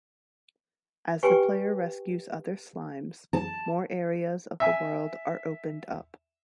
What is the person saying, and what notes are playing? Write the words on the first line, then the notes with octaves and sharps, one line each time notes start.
As the player rescues other slimes, more areas of the world are opened up.
G4 B4 G5 G#5 C6 C#6
A5
E5 G#5